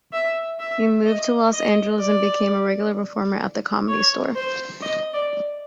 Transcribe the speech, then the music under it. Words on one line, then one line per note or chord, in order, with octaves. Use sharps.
He moved to Los Angeles and became a regular performer at The Comedy Store.
E5
E5
D#5
D#5
D5
C#5
C5
D#5
D5